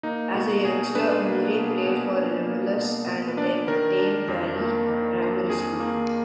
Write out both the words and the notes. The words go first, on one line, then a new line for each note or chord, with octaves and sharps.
As a youngster, Moore played for Romulus and Tame Valley Primary School.
A#3 D#4
B2 F#4
B2 G#4
D4 B4
A#3
B2
B2
D4
A#3
B2
B2
B4
D4 D5
D#3 A#4
D4
F2
A#3
D#3
D4
F2 G#4
A#3